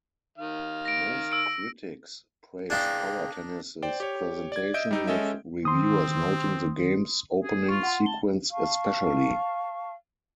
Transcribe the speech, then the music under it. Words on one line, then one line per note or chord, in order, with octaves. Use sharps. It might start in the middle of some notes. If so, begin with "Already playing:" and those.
Most critics praised "Power Tennis"s presentation, with reviewers noting the game's opening sequence especially.
D#3 F5
A#6 D7
E6 D7
D4 D#4 G#4 F5 G5
C5 D5 G5
G4 C#5
D5 G#6
D#5 E5 G6 D7
G3 D#4 E6
G#3 C#4 A4 D#5 E5
D#3 C4 C6 D#6
G#4
F4 C#6
F#5 C6
A5 G7
F5 A5 C#6